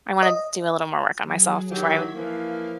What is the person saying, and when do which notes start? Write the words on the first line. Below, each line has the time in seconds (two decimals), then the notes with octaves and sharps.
I wanna do a little more work on myself before I would
0.23 D#5
1.22 F#3 G#4
1.72 D#3 F#3 E4 G4 G#6 B6
2.13 E3 F3 A#3 F5